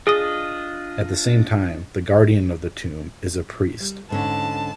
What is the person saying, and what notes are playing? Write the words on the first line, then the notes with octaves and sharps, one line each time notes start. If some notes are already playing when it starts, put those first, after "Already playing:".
At the same time, the guardian of the tomb is a priest.
D4 F4 G#4 D#5 D#6
G3
G#2 D3 C#4 A5